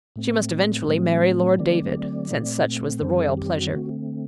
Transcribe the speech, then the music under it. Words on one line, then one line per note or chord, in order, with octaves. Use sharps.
She must eventually marry Lord David, since such was the royal pleasure.
A2 A3 C4
A2 F#3 A3 C4
D3 F#3 A3 C4 D5
A#2 A3 C4
F#2 D#3 G3 C4 C5
A4
G4
F#4
D3 A3 C4 F#4